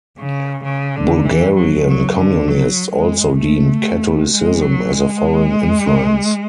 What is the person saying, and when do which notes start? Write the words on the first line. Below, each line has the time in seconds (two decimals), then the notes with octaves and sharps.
Bulgarian communists also deemed Catholicism a foreign influence.
0.18 C#3
0.65 C#3
0.95 D3
1.25 E3
1.56 F#3
1.87 F#3
2.17 D3
2.48 F#3
2.94 G#3
3.39 A3
4.31 G#3
4.61 F#3
4.92 G#3